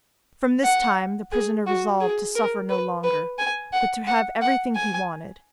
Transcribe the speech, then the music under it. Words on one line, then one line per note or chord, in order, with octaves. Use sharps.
From this time the prisoner resolved to suffer no longer, but to have everything he wanted.
F#5
G#4
F#4
G#4
A#4
B4
B4
G#5
F#5
F#5
F#5
G#5